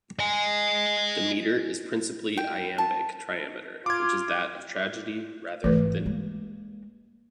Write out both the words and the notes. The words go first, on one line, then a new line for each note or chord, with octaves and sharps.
The meter is principally iambic trimeter, which is that of tragedy rather than comedy.
D#5 G#5
G5
A5
F4 D6 G#6
G#1 E3 A3 B4
G#3 A#3